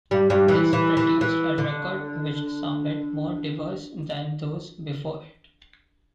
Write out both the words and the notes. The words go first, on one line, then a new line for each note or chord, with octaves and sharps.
This produced a record which sounded more diverse than those before it.
G2 G3
G2 G3
E3
E3
E3
E3
D3